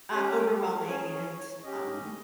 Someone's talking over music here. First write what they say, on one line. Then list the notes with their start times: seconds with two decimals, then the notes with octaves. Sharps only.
uh, overwhelming and, um,
0.11 C#4 G4 G#5
0.38 G5
0.62 F5
0.88 C#4 G#4 C#5
1.12 C#5
1.38 C#5
1.63 C#4 G4 D#5